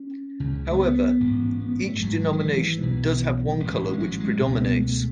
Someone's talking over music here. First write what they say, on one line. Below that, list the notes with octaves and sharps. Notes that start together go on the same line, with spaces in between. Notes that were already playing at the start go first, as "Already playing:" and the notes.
However, each denomination does have one colour which predominates.
Already playing: C#4
C#2 C#3
A3
B3
A1 G#2
B3
A3
G#1 G#2 F#3
D#3
E3
B1 B2
A1 G#2
G#3
F#3
G#3
C#2 B2
C#4
B3
G#3
A3